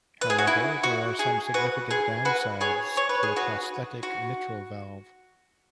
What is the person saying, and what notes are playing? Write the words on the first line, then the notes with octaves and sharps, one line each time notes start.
However, there are some significant downsides to a prosthetic mitral valve.
B4
G#4
F#4
E4
F#4
G#4
F#4 B4
G#4
F#4 B4
G#4 C#5
C#5
B4
G#4
F#4 B4
F#4